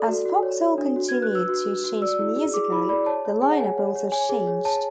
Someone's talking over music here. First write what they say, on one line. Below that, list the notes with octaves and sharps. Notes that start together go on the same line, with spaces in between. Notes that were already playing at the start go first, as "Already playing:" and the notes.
As Foxhole continued to change musically, the lineup also changed.
Already playing: A4 D5
F#4
F#4
C#5
C#5
D4
F#4
B4 G#6
F#6
B4 E6
F#4
F#4
F#4
D5 E6
E4
G#4
G#4 D6
E4 B5
D5 B5
C#5 A5
C#5
G#4
F#5
C#5 G#5
C#5
C#5
C#5 G#5
G#4
C#5
C#5 A5